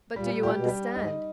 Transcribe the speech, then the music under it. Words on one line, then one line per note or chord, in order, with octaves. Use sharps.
"But do you understand?"
A#2 G3
A#2
G4
B2
G3
G#2 D#4